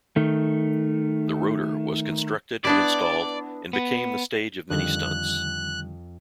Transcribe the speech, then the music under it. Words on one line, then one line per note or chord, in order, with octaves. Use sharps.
The Rotor was constructed and installed, and became the stage of many stunts.
D#3 A3
B3 D4 E4 D5
B3
F2 D3 D#3 G3 F#6